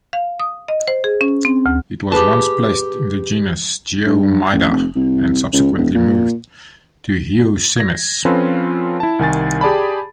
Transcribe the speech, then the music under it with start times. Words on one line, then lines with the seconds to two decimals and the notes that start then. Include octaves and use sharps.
It was once placed in the genus "Geoemyda" and subsequently moved to "Heosemys".
0.13 F5
0.40 D#6
0.68 D#5
0.87 C5
1.04 G#4
1.21 C#4
1.45 C4
1.66 D2
2.12 G4 G#4 B4 A5
4.06 G2
4.52 A1
4.70 F1
4.95 C2
5.53 C#2
5.77 E1
5.95 A#2
7.76 G#6 A#6
8.25 F3 C4 C#4 F4 A4 B4
9.00 E4 A5
9.19 C2 D#3 G#5 A6
9.61 G4 G#4 D5 A5 B5